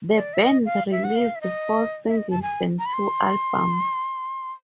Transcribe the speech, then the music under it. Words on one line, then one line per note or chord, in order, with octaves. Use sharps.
The band released four singles and two albums.
D5
E5
D#5
F5
E5
F#5
F5
E5
D#5
E5
D#5
A5
G#5
A#5
B5
C6